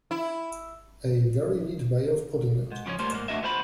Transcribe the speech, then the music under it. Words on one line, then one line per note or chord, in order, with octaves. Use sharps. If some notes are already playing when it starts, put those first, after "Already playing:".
A very neat way of putting it.
E4
G#2
C#3 F3 G3 C#4
G3 A3 A#3 C5
G#2 A#3
A3 D4 F#4 D#5 E5
D2 B3 F4 C5 A5 B5